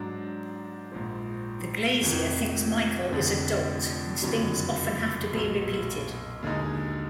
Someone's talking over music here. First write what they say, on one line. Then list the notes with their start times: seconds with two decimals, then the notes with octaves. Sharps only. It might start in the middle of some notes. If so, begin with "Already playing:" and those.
The glazier thinks Michel is a dolt, and things often have to be repeated.
Already playing: G#2 F#3 D4
0.92 A#1 G#2 F3
2.02 F1 F2 D#3
3.12 F1 F2 D3
4.22 F#1 F2 D3 F#3
5.32 B1 A#2 F#3 B3
6.42 D#2 D3 G#3 D#4